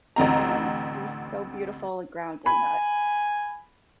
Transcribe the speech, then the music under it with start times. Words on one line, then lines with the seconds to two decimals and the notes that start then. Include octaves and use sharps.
and it was so beautiful and grounding that
0.16 A1 D2 C4 A#5
2.46 G#5 B5